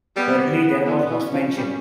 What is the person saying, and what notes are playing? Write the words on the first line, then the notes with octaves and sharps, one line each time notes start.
Thirdly there was horsemanship.
G3 B3
E3 B3
E3
C#4
F3
G3